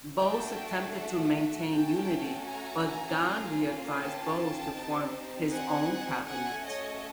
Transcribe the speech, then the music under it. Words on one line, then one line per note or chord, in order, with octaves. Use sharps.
Bose attempted to maintain unity, but Gandhi advised Bose to form his own cabinet.
A3 D4 F#4 G5 A5
E5 F#5
A3 C#4 F#4 G5 A5
G#5 A#5
A#3 C#4 F4 A4
G5 A5
C4 D#4 G4
F#5 G#5
A3 C#4 F#4 A4 F#5 G#5
C#5 D#5